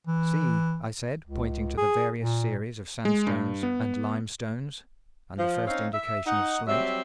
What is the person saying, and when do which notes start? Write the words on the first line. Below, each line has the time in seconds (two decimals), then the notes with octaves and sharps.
"See," I said, pointing to the varied series of sandstones and limestones, and the first indication of slate.
0.07 E3
1.27 C#2
1.78 G#4
2.19 A#2
3.05 G#3
3.27 G2
3.63 B3
5.39 F3
5.67 C4 C#4 D#4 F5
5.93 E5
6.25 D#4 F#5
6.67 F#3 G3 C4 E5